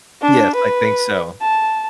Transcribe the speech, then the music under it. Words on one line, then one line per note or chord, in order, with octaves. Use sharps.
Yes. I think so.
D4
B4
A5